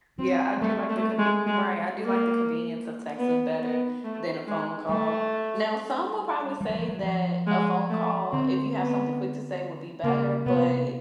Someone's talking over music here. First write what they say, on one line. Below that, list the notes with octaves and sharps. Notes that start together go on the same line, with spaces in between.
yeah, I do like the conv Right, I do like the convenience of texting better than a phone call. Now, some will probably say that a phone call, if you have something quick to say would be better, but
F#3 C4
G3 A3
A3
G#3
G#3
A#3
B3
B3
A3
G#3
G3 A3
G3
F#3
F3
F#3
F3
G#3
A3
D3 C4
B3
C#3 A#3
C3 B3